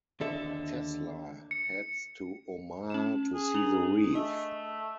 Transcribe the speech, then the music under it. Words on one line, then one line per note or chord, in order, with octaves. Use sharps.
Tesla heads to Omaha to see the Reef.
D#2 D3 A4 E5
C#7
C#4 E7
G#4
D4 F7 F#7
A3 D#5